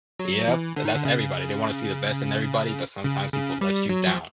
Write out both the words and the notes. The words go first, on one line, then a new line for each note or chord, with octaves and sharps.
Yep, tha that's everybody, they wanna see the best in everybody, but sometimes people let you down.
F#3
E3
D3
D#3
D3
C#3
C#3
C#3
G3
F#3
F3